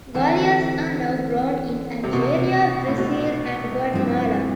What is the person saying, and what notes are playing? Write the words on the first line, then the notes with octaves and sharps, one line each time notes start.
Galias are now grown in Algeria, Brazil, Guatemala.
D3 E3 A3 C4
C3
B2
C3
A2
B2
G2 F3 C4 E4 G4